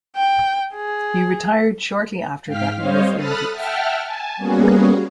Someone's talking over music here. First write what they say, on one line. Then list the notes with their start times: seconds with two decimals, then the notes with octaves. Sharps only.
He retired shortly after that year's Olympics.
0.16 G5
0.75 G#4
2.45 G#2 F5 G5 F6 B6
2.76 G3 C4 C5 C#5 D#5 F5
3.14 A4 B5 D#6 F6 F#6 A6
3.51 E5 F#5 G5 A5 F6
4.04 G#5 A5
4.37 G3 A#3 B3 C#4 F#4 G#4